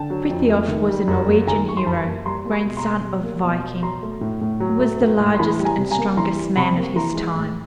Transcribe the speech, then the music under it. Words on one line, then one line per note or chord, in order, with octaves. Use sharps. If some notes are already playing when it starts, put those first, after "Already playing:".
Frithiof was a Norwegian hero, grandson of Viking, who was the largest and strongest man of his time.
Already playing: D3 G5 A5
F#3
F2
A3
D#3
G3
F#2
A#3
D#3 G#5 A#5
G3 C#6
C6
F#2 A5 B5
A#3
G3 A#5 C6
A#3
B5 C#6
B2
A#5 C6
B2
G3
A#3
B2
B2
F#3 A#5 C6
A3
A2
A2
F#3
A3
A2
A2
C6
E3 A5 B5
G3
G#5 A#5
C3
G#5 A#5
A#3
E3 A#5 C6
G3
C3 B5 C#6
A#3
E3 A#5 C6
G#3
A2